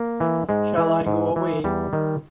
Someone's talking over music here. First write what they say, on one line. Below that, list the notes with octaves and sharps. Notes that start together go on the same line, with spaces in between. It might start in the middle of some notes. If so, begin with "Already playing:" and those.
Shall I go away?
Already playing: A#3
E3
G#2 G#3
E3
G#2
E3
E2 G3
D#3